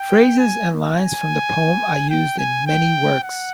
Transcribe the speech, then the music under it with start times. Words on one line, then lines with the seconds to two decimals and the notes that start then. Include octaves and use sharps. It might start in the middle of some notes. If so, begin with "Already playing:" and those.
Phrases and lines from the poem are used in many works.
Already playing: G5
0.39 G#5
0.96 G#5
2.10 G5
2.38 G#5
2.67 G5
3.23 F#5